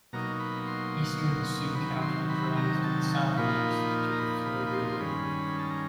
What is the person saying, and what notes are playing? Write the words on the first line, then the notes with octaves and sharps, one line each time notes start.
Eastern Sioux County drains to the south east to the Floyd River.
B2 F#3 A#3 D#4 A#5
B5
C6
C3 D#3 F#3 B5
C6
B5
A#5
A5
A#2 F3 A#3 D#4 B5
A#5
B5
B5
B5
C6
C6
G2 D#3 G#3 C#4 B5
A5
A#5